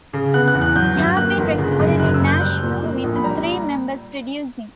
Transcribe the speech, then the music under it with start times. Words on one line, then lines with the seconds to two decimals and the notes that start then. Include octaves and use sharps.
It had been recorded in Nashville with the three members producing.
0.13 C#3
0.34 B3 F#6
0.48 F#6
0.54 E2
0.62 F#6
0.76 F#3 G6
0.96 G2 G6
1.17 A#3 F#6
1.38 G1
1.58 C#3
1.79 F#2
2.00 F#1 F#6
2.14 E6
2.20 F#1
2.27 G6
2.41 G3 F#6
2.62 A#2
2.83 A#3
3.03 A#1
3.16 B5
3.24 G3 A#5